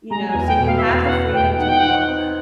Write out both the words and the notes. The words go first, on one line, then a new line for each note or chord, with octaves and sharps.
you know, so you have the freedom to look,
G#3 A#5
G#5
E2
G5
B2
F5
E5
E2 F5
F5
E2 F#5
E2 G5
D#4 F#5
G5
D#4 F#5
C4